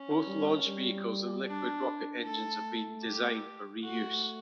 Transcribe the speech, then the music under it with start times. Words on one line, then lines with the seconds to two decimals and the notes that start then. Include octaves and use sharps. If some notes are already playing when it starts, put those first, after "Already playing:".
Both launch vehicles and liquid rocket engines are being designed for reuse.
Already playing: C#4
0.27 G3
0.66 G3
1.46 D4
2.24 A3 A4
3.04 G4
3.83 A3 F#4